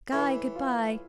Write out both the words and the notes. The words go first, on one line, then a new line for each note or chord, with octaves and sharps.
Guy, goodbye.
A2 E3 A3 E4
F4